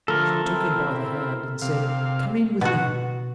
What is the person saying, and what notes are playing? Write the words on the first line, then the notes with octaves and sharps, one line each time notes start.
She took him by the hand and said, "Come in with me."
D3 F3 A3 A4 A#4
C4 E4
C3 F5
B2 F#4